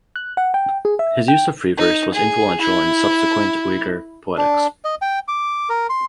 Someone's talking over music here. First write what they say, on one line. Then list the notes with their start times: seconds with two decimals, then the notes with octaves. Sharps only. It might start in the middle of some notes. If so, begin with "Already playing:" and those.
His use of free verse was influential in subsequent Uyghur poetics.
0.16 F#6
0.37 F#5
0.54 G5
0.85 G#4
0.99 E5
1.28 G5
1.78 D#4
2.14 G#4
2.61 E4
4.38 D4
4.85 D#5
5.02 G5
5.28 D6
5.69 A#4
5.90 C6